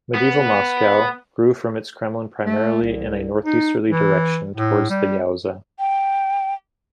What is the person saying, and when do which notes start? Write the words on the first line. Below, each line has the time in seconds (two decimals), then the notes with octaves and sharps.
Medieval Moscow grew from its Kremlin primarily in a northeasterly direction, towards the Yauza.
0.15 B3
2.45 A3
2.82 C2
3.45 D#4
3.90 E3
4.56 A2
4.90 G3
5.79 G5